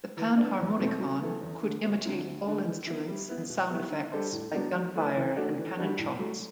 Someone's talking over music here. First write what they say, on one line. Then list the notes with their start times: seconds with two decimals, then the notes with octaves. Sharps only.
The Panharmonicon could imitate all instruments and sound effects like gunfire and cannon shots.
0.17 E3
0.38 B3 D4
0.59 E2
0.79 B2 A3 C4
0.99 F#3
1.21 B3 E4 A4
1.41 E2
1.62 D3 A3
1.83 D2
2.04 D3 F#3 C4 E4
2.24 D2
2.45 D3 A3 D4
2.66 E3
2.87 B3 E4
3.08 G3
3.29 B3 E4 B4
3.49 B2
3.70 G3 B3 E4
3.90 D3
4.12 G3 D4 A4 C5
4.32 A2
4.53 F#3 B3 D4
4.74 F#3
4.95 A3 E4 B4
5.16 E3
5.36 A3 D4 F#4 A4
5.57 E3
5.78 G3 D4 F#4
5.99 A2
6.19 F#3 A3